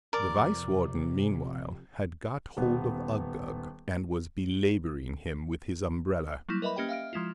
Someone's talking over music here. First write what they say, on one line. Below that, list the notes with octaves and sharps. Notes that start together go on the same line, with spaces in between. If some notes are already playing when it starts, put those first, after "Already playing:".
The Vice-Warden meanwhile had got hold of Uggug, and was belabouring him with his umbrella.
F2 C3 A#4 D5
D#1 B3 B4
F#3 G3 A#3 E4
A#4 B4 D#5 E5 B5
A#3 C#4 G4 D#5 G5
E5 F5 F6 D7
F3 G#3 E4 F4